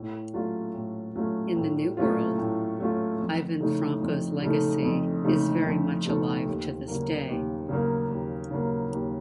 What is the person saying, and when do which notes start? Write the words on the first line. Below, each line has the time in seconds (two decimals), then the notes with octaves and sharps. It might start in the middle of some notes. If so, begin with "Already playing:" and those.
In the new world, Ivan Franko's legacy is very much alive to this day.
Already playing: A2
0.34 F#3 A3 C#4 F4
0.74 A2
1.15 F#3 A3 C#4 F4
1.56 A2
1.97 F#3 A3 C#4 F4
2.38 A2
2.79 F#3 A3 C#4 F4
3.20 F2
3.60 C#3 A3 D#4 A4
4.01 F2
4.42 C#3 A3 D#4 A4
4.83 F2
5.24 C#3 A3 D#4 A4
5.65 F2
6.06 C#3 A3 D#4 A4
6.46 D#2
6.87 C#3 F#3 A#3
7.28 D#2
7.69 C#3 F#3 A#3
8.10 D#2
8.51 C#3 F#3 A#3
8.92 D#2